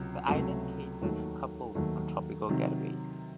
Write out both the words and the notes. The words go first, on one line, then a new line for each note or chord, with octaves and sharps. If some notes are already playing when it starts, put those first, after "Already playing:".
The island caters to couples on tropical getaways.
Already playing: C#2 C3 F#3
C#2 C3 F#3 A3 C#4
D#2 D#3 F#3 A3
D#2 D#3 F#3 A3
C3 D#3 F#3